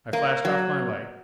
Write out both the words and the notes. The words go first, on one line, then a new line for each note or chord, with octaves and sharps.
I flashed off my light.
A#3
F#3